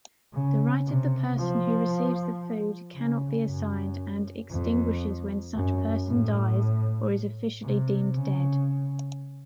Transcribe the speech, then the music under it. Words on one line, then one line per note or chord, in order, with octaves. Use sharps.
The right of the person who receives the food cannot be assigned and extinguishes when such person dies or is officially deemed dead.
C#3
C3
F3
C#3
F#2
F2
F#2
A2
C3
C#3